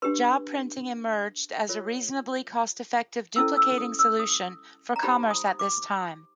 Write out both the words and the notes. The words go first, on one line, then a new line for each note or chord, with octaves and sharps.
Job printing emerged as a reasonably cost-effective duplicating solution for commerce at this time.
D4 G4 B4 C6
F4 A#4 C#5
C#4 E4 A4 C5 E6
E6
D#6
E6
D#6
A#5
D#4 G4 C5 B5
D#6
D6